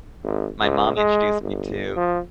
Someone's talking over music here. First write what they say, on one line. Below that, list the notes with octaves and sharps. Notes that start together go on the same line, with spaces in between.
my mom introduced me to.
G#1
C#2
G#3
G1
F3